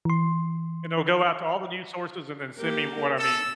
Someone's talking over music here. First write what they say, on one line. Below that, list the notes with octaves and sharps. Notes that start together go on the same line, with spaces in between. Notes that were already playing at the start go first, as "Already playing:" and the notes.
And it'll go out to all the news sources and then send me what I need.
E3 C6
A#3 G4 A#4
A4 E6